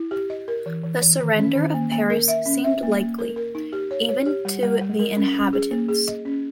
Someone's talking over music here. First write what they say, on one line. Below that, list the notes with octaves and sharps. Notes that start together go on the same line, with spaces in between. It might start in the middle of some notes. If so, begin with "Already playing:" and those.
The surrender of Paris seemed likely, even to the inhabitants.
Already playing: E4
G4
D#5
A#4
E3
E3
E3
D#3
C#4
D#3
A#3
A#3
A#4
E5
C#4
E5
A#3
A#3
A#4
A#4
D#4
G4
C#5
C#5
G4
G3
G3
G3
A#4
C#4
C#4
G#4
A#3
G#4
D#5
C#4